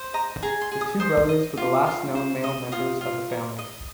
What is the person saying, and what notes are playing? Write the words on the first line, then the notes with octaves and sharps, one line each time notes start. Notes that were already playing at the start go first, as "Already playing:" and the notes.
The two brothers were the last known male members of the family.
Already playing: C5
D#5 A#5
G#4 A#5
C6
G#4
D#6
C5 D#6
D#5
F4
F4
C5
D#5
F4 D#6
F4
A#4
D#5